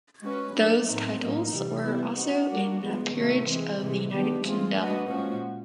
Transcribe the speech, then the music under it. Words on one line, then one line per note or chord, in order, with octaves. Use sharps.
Those titles were also in the Peerage of the United Kingdom.
G#3 C#4 F#4 B4
F#3 A#3 D4
A2 F#3 A3 C4 D#4
A2 F#3 A#3 D#4
C3 E3 G3
G3 B3 E4
C4 D#4 F#4
G3 A#3 D4 F#4
D3 F3 G#3 B3
C3 D#3 F#3 A3
E3 G#3 C4
C3 E3 G#3
D#3 F#3 B3 D4 G4
E3 G#3 C4 F4 G#4
A3 D4 F#4 B4 D#5
A#2 F3 G#3 C#4 F#4